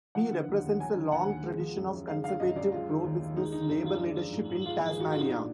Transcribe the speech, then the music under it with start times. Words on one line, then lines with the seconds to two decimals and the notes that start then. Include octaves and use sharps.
He represents a long tradition of conservative, pro-business Labor leadership in Tasmania.
0.15 F3 F#5
0.31 D3
0.48 D#2
0.64 D#2
0.80 F#3 G#5
0.95 D3
1.12 D#2 F#5
1.27 D#2
1.44 G#3
1.59 F3
1.77 F#2
1.93 F#2
2.08 G#3 F5
2.24 D3 F5
2.40 F#2 D#5
2.56 F#2 D5
2.72 G#3 F4
2.89 D#3
3.04 D#2
3.21 D#2
3.37 G#3 D#4
3.52 D3 D#4
3.68 F#2 D#4
3.84 F#2 F4
4.01 G#3 D4
4.16 F3
4.32 G#2
4.50 G#2
4.66 G#3 F4
4.80 F3
4.90 G#4
4.97 G#2 F#4
5.10 G#2 F4
5.19 D#4
5.29 A#2 D4